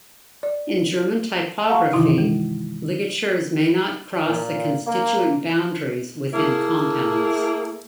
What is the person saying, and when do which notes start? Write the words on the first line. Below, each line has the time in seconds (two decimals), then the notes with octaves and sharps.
In German typography, ligatures may not cross the constituent boundaries within compounds.
0.43 D5
1.69 F5 F#5 A5 A#5 C#6
1.93 G2 C3 D#3 E3 D#4 E4
2.18 G#3
4.27 A#2
4.86 A#3
6.33 A3 A#3 E4 G#4